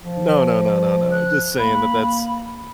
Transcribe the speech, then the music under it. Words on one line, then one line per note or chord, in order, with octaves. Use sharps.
No, no, no, no, no, just saying that that's
F3
F#6
A#3 B5